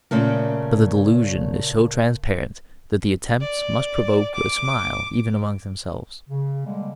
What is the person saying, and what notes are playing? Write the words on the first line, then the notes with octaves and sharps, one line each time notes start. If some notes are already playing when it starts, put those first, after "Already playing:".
But the delusion is so transparent that the attempt must provoke a smile even among themselves.
A#2 C#3 A3 A#3
D5
D6
C#3
D3 G3 G#3 A#3